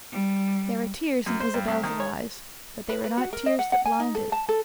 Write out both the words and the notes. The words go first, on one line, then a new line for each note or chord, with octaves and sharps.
There were tears in Isabel's eyes, but they were not tears that blinded.
G3
F#2
C5
G2
C2
D#3
C#5
B4
B4
F#4
A#4
D#5
F#5
F#5
G#5
D#4
A4
A5
A4